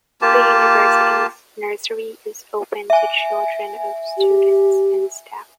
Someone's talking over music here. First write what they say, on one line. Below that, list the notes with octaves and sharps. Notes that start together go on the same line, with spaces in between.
The university's nursery is open to children of students and staff.
A#3 F4 G4 A5
E5 G#5
G4